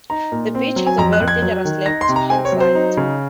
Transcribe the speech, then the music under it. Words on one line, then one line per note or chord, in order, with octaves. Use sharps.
The beach has a very dangerous left hand side.
D#4 A#5
A#2
C4
F#3
G#5
F2 A#5
F#6
F2
G#6
F#3
D#3
D#4 A#6
C6
C3
A#5
C4 G#5
C#5
F#3
C5
D#4
C#3